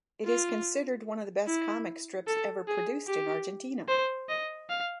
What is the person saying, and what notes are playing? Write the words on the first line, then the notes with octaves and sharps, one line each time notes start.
It is considered one of the best comic strips ever produced in Argentina.
F4
E4
A4
G#4
G4
C5
D#5
F5